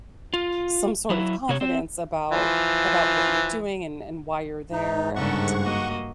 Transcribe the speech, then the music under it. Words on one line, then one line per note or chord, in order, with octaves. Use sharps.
some sort of confidence about about what you're doing and and why you're there, and
F4
F#3 E4
C3 C#5
C4
E3 F3
G#2 D#4
G2 C#3 A#3 A4 F#5 C#6
A#3 F#4 D#5